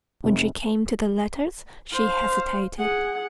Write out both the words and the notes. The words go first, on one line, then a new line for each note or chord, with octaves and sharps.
When she came to the letters, she hesitated.
F1
C5 F5
G#4 F#5